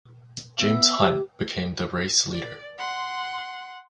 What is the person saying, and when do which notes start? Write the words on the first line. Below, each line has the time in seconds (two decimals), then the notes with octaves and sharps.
James Hunt became the race leader.
0.60 B3 E5
1.00 G4
2.32 D5
2.78 F#5 C6